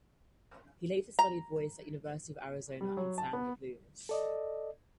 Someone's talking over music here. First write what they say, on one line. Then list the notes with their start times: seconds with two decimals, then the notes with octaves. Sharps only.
He later studied voice at University of Arizona and sang the blues.
1.19 A#5
2.81 G3
2.97 F#3
3.18 A5
3.33 B3
4.09 A4 D5 D#5